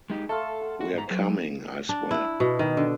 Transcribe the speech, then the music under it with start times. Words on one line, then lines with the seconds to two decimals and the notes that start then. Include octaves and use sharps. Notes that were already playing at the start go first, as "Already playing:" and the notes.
We're coming, I swear.
0.10 G#3 D#4 G4
0.29 A3 A4 F5 C6
0.61 F#5
0.81 F#4
0.94 G#2 A#5
1.08 F#3 A4 C5
1.89 D4
2.11 E4
2.40 B2
2.59 D#3
2.77 D3